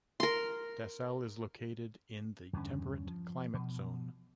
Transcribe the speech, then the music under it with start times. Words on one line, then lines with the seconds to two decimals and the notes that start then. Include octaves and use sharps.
Dassel is located in the temperate climate zone.
0.20 A#4 C6
2.53 E2 G2 D3 C#4
3.07 F3
3.54 B2 F3